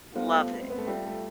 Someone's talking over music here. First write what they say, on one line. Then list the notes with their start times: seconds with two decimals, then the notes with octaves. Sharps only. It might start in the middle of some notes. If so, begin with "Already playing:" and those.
Love it.
0.15 G3 B3 F4 A4 C5 F5
0.33 A3
0.52 B3
0.61 C4
0.70 B3
0.78 A3
0.87 G3 F4 A4 E5 G5
1.06 A3